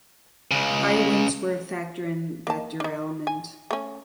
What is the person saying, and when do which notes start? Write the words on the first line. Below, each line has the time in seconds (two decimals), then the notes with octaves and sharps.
High winds were a factor in that derailment.
0.51 C#2 C#3
2.47 A#3 A5
2.80 D4 D#4
3.27 G#5
3.71 A3 C#4